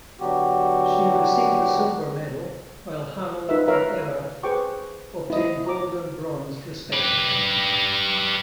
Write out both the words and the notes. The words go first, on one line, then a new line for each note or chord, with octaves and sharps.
She received the silver medal, while Hamill and Errath obtained gold and bronze respectively.
D3 F#3 B3 F#4 G4
D#4 F4 A#4 B4 E5
A#4 B4 C#5 E5 F5
G#4 B4 C5 G5 C#6 D6
E4 D#5
A#5 D6
G4 B4